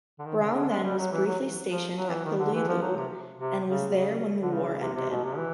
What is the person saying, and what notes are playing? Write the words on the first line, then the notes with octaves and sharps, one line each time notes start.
Brown then was briefly stationed at Peleliu and was there when the war ended.
D3
D#3
C#3
D3
G#3
G3
F#3
E3
F#3
F3
F#3
E3
D#3
D3
E3
F3
F#3
C3
C3
C#3
C#3
D3
C#3
C3
C3
B2
C3
E3